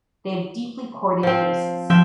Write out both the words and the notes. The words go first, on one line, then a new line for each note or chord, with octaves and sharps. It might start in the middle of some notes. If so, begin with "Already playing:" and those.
They have deeply cordate bases.
F3 C4
F3 E5 G5